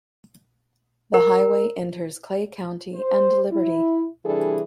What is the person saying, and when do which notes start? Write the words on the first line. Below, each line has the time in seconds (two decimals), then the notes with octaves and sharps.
The highway enters Clay County and Liberty.
1.14 A#4
2.94 C5
3.51 E4
4.25 C3 E3 G3 D4 G#4 A4